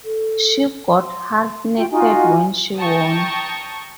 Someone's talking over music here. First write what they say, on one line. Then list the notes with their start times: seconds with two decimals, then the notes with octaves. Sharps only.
She got half naked when she won.
0.05 A4
0.96 C6
1.77 F4 F#4 G5
1.92 D#4 F4 F#4 G#5
2.78 G5 A5 A#5 C#6 D#6